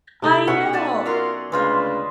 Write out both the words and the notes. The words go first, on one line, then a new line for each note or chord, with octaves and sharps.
I know!
C3 D#4 A4
B2 B3 C#4 E5 F#5 C#6
D5 G#5 A5
F#3 F4 F#4 A#4 A#5 C6
D2 C#3 G#3 F4 B4 C5